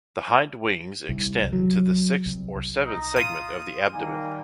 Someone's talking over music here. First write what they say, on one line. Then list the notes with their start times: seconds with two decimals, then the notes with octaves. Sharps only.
The hind wings extend to the sixth or seventh segment of the abdomen.
1.09 C2
1.53 F#3
2.26 C2
2.85 D#4
3.16 F4 D#6
3.93 D#3 G3 A#3 G#5